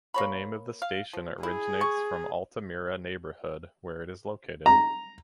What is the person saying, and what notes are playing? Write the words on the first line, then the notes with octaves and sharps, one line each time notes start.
The name of the station originates from Altamira neighbourhood where it is located.
A#3 C#5 B5
F5
F3
E4 G#4
C#6
A#5